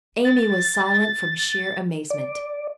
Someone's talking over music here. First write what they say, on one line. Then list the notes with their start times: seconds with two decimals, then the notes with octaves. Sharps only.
Amy was silent from sheer amazement.
0.25 A6
2.10 D5